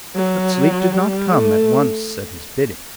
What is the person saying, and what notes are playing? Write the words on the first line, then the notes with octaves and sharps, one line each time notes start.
But sleep did not come at once at his bidding.
F#3
G3
A3